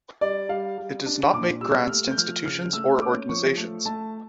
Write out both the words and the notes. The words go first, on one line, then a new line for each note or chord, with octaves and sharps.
It does not make grants to institutions or organizations.
G3 D5
G3 F5
G3
D4
A#2 D6
G3 E6
A3 F6
G6
F3 F6
C#3 F6
A3 E6
C#4 D6
F3 C#6
A3
A3 A5